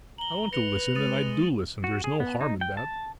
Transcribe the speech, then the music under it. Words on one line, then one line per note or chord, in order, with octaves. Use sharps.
I want to listen and I do listen, there's no harm in that.
A#5 F#7 G7
B4 A#6 C#7 F7 G7
G#3 D#6 A6 D#7
F#4
G#4
B3
D#4
G5
A5